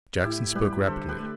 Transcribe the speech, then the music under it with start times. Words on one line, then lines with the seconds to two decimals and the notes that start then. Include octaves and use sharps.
Jackson spoke rapidly.
0.23 A2 E4 G4
0.55 G3 G4 B4
0.87 D3 A4 C5
1.08 G4 B4
1.19 A3